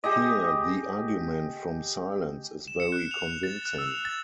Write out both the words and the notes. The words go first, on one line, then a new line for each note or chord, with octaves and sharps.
Here the argument from silence is very convincing.
G4 G#4 D#5
E7
C#7
F#6
F7
A6
F#6
E6
F7
A6